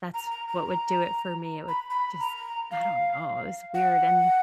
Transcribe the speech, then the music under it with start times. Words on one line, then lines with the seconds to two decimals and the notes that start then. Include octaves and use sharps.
that's what would do it for me, it would f just I don't know, it was weird, an
0.14 A#5
0.31 A#5
0.48 A#5
1.68 B5
1.90 B5
2.20 A#5
2.71 F5
3.74 F#5